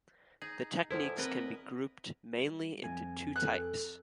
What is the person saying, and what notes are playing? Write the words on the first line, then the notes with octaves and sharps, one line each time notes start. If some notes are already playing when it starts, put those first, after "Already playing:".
The techniques can be grouped mainly into two types.
D#4 G#4
E2 F3 E4 A4 C5
C4 A#4 B4 D#5
G3
F2 G#5
A4 F#6